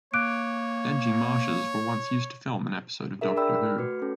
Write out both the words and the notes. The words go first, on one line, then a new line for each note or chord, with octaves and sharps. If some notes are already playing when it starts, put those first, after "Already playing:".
Dengie marshes were once used to film an episode of Doctor Who.
A#3 C#5 D6 F#6 D7
D4 G#4 A#4 E5
A#4 D5 G5 B5 E6
F6
A3 F#4 B4 C#7
C#4 A4